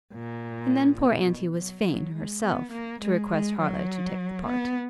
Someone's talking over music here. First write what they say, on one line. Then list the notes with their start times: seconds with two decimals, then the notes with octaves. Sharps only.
And then poor aunty was fain, herself, to request Harleigh to take the part.
0.13 A#2
0.99 B2
1.57 F#3
1.86 F#3
2.14 G#3
2.43 B3
2.72 A#3
3.01 G#3
3.30 G#3
3.59 F#3
4.45 B3